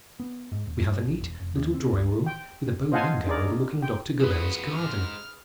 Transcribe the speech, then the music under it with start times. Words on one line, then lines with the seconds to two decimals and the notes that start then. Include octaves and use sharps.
We have a neat little drawing-room with a bow window overlooking Dr. Gabell's garden.
0.20 B3
0.52 G#2
0.66 D#1
0.85 G2
1.05 A#1
1.20 E1
1.40 F1
1.56 D#2
1.74 C4
1.92 C#2
2.26 G5
2.92 C5 D#5 F5 F#5 G#5 A5
3.27 D4 D#4 G#4 A#4 D5
3.82 G5
4.20 F3 B3 G#4 B4
4.74 E2 G#2 F6